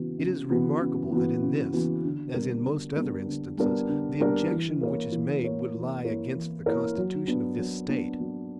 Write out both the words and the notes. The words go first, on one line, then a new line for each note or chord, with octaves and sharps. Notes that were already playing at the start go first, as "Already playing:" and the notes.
It is remarkable that in this, as in most other instances, the objection which is made would lie against the constitution of this State.
Already playing: C#3 E3 B3 F#4
C#3
E3 B3 F#4
C#3
E3 B3 F#4
C#3
E3 B3 F#4
D3
G3 B3 D4 A#4
D3
G3 B3 D4 A#4
D3
G3 B3 D4 A#4
D3
G3 B3 D4 A#4
E3
A#3 E4 A#4 C#5
E3
A#3 E4 A#4 C#5
E3
A#3 E4 A#4 C#5
E3
A#3 E4 A#4 C#5
F#3
B3 D4
F#3
B3 D4
F#3